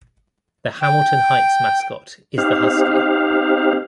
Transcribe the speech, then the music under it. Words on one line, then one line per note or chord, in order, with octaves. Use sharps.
The Hamilton Heights mascot is the husky.
G5
C4 D#4 G4 F5